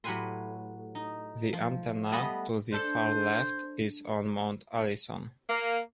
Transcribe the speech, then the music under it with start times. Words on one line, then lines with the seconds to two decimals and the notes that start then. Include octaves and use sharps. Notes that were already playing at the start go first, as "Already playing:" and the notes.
The antenna to the far left is on Mount Allison.
0.04 A2 F#3 G4 B4 G#5 C6
0.95 D#4
1.53 F3
2.12 G3 A3 B3 G4 D#5
2.72 D4 A4 C5
5.49 A#3